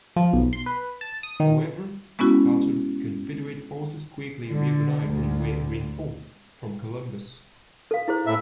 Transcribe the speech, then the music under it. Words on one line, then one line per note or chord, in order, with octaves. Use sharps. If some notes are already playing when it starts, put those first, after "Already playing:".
However, the scattered Confederate forces quickly reorganized and were reinforced from Columbus.
F3
B1
C6
B4
A5
D#6
D#3
G#3 B3 C#4 E4 F#4
D3
D2
A4 F5
E4 G#4 C5
A2 E5